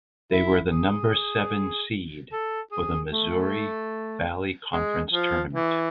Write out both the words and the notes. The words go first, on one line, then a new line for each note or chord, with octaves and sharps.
They were the number seven seed for the Missouri Valley Conference Tournament.
E4
G#4
A4
G#4
A3
G#3
F3
E3